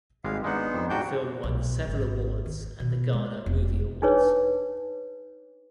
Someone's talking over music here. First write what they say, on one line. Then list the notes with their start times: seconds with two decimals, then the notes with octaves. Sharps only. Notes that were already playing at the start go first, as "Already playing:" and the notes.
The film won several awards at the Ghana Movie Awards.
0.24 G#1 G3 G#3 F5
0.44 G#3 B3 D4 D#4 F#5
0.74 F2
0.90 G#2 G3 D4 F#4 G5 G6
1.43 B1
1.87 G#1
2.46 D#3
2.80 B2
3.13 G#3
3.46 E1
4.02 D4 D#4 G#4 B4 C#5